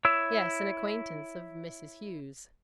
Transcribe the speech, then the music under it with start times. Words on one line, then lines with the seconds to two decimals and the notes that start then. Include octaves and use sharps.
"Yes, an acquaintance of Mrs. Hughes."
0.05 E4 C#5 E6